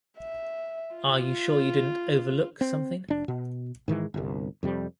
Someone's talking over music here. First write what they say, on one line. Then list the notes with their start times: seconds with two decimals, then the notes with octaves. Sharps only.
Are you sure you didn't overlook something?
0.19 E5
0.96 F4
2.61 C4
3.08 F1 D4
3.28 B2
3.88 G#2 D#3 E3 G#3
4.14 G1 C2
4.63 F2 C3 G3